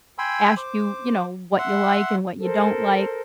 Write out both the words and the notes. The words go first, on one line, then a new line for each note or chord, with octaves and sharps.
ask you, you know, what ya like and what ya don't like.
G5 G#5 B5 C6 E6
C5 D6
E5 F#5 C6
A4 A#4 C5